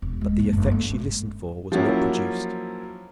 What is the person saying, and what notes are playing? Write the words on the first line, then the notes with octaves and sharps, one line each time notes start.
But the effect she listened for was not produced.
E1
G#3
A#1
F#1
A3
G#1
F3 F#3 A#3 C#4 E4